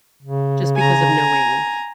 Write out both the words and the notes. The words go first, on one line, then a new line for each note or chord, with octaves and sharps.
just because of knowing
C#3
G#5 A#5